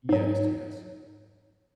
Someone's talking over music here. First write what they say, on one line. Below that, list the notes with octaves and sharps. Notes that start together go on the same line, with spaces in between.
Yes, yes.
G#2 F#3